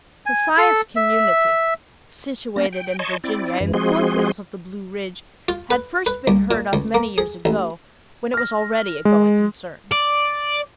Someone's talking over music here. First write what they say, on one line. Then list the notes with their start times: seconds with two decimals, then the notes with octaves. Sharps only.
The Science Community, situated in Virginia, in the foothills of the Blue Ridge, had first been heard of many years ago, when it was already a going concern.
0.26 G#5
0.58 A4
0.96 E5
2.56 A#3 C#4 A#6
2.72 G5
2.99 C#5 D#5 A5 C6 C#6
3.24 C4 E4 D5
3.60 F#2 E3
3.74 F3 G#3 C4 F#4 G#4 C6
5.48 F4
5.71 B4
6.06 B4
6.27 C2
6.51 A#2
6.73 C#2
6.94 A#3
7.18 G#4
7.45 A1
8.34 F6 A#6
9.05 G#3
9.92 D5